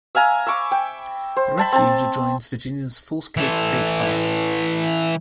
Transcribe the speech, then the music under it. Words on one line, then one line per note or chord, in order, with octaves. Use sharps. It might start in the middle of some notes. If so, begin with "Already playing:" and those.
The refuge adjoins Virginia's False Cape State Park.
E5 F5 G#5 A#5
E5 B5 C#6 D6
G5
C5
E5 A5 B5
C4 A5
E3 A4